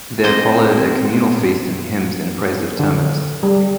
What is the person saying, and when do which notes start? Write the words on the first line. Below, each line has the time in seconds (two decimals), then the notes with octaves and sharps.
There followed a communal feast and hymns in praise of Terminus.
0.24 C4 C5 D#5
2.79 D3
3.43 G3